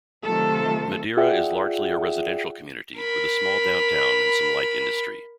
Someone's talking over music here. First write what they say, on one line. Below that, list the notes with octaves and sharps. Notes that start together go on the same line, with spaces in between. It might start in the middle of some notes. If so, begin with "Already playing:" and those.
Madeira is largely a residential community, with a small downtown and some light industry.
C3 D#3 F#3 A3 F4 A4
F4 G#4 D5 E5 F#5 G5
A#4 B5